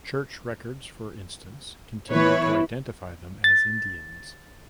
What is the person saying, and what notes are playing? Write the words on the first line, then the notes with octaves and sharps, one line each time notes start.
Church records, for instance, continued to identify them as Indians.
E3 B3 E4 B4 C#5
A6